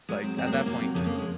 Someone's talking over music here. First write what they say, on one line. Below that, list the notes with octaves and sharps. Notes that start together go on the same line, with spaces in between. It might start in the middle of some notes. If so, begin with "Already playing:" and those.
It's like, at that point, just
G#2 F#3 G#3
C4
C3 F#3 C4
G#3
A#3
C3 F#3 A#3
F2 C#3 G#3 C4
A#3
G#3